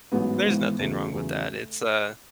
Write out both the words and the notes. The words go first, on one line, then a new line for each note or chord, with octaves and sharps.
there's nothing wrong with that. It's, uh,
A1 G#2 F#3 B3
G#1 G#2 E3
E2 C#3 F#3 A3
E2 C#3 F#3